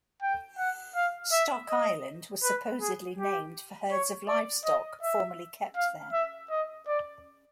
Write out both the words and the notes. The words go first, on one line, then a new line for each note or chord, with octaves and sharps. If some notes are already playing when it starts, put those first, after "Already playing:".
Stock Island was supposedly named for herds of livestock formerly kept there.
G5
F#5
F5
E5
D#5
B4
G#4
G4
C#5
D5
D#5
E5
F5
E5
D#5
D5